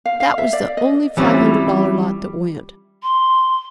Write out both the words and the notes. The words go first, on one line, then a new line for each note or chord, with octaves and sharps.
That was the only five-hundred-dollar lot that went.
F5
F5
E5
D5
D#5
E3 G3 C4 C#4 E4 F4
C6